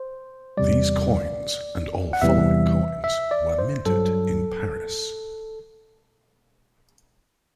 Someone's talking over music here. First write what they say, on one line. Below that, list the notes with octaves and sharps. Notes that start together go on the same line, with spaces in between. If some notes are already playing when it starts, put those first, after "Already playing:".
These coins, and all following coins, were minted in Paris.
Already playing: C5
E2 C3 G3 D5
F#5
E2 C3 E3 G3 E5
E5
D5
C5
G2 F#3 A4